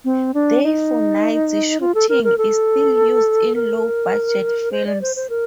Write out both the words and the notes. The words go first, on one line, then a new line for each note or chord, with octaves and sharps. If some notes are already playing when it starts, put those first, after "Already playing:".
Day-for-night shooting is still used in low-budget films.
C4
D4
D#4
F4
A4
A#4
A#4
A4
A#4
C5
D5
C5
C5
A#4